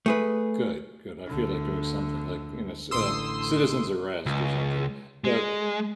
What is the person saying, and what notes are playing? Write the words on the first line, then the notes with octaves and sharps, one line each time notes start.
Good, good. I feel like doing something like, you know c uh, citizens arrest, or something, but,
A3 G#4 B4
D2 D3
A1 D3 C6 D#6 E6
C#2
G#3